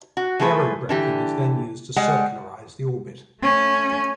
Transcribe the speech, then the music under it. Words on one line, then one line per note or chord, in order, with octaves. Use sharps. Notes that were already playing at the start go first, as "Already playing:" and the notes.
Aerobraking is then used to circularize the orbit.
F#4
E3 F3 A3 G#4 B4
D3 E3 G4
G3 G#3 F#5
A3 C#4